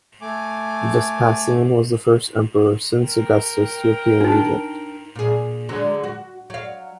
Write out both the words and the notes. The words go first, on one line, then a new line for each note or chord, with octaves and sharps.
Vespasian was the first emperor since Augustus to appear in Egypt.
A3 G#5 D6
A#4 G5
D4 D#4
A#2 G#4
D3 F#3 G#3
F#4
F#3 F5